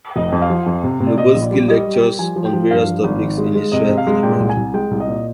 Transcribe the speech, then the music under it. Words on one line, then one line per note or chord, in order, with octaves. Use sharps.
Lubotzky lectures on various topics in Israel and abroad.
F1 D#5
F2
F5
F3
F2
C3
C3
D5
A#2 D#5
A#1
D5
G3
G3 D#5
G3
G5
G3
F3 G#5
F3
G5
F3
G2 F5
F3
G#1
D#3
G#3
G#3
C3 D#5
C3
F5
G#3
A#2 G5
C2
G#5
C2
G#3 G5
C2
D#5
A#2